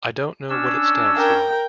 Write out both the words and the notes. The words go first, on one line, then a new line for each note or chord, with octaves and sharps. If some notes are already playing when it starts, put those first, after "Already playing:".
I don't know what it stands for.
C#4 D4 E6
A#4 G5